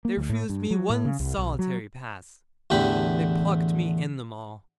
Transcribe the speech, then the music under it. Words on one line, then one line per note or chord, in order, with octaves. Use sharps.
They refused me one solitary "pass." They "plucked" me in them all.
A#3
D2
A2
G2
F#3
A2
C#3
C2
B1
F#3
A1 E2 D3 G4 G5 B5